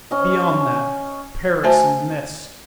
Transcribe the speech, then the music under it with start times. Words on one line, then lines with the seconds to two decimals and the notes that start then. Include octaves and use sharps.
Beyond that, Paris in the mist!
0.11 C#4 D#5
1.63 A3 F#4 C5 E5 G#5 A5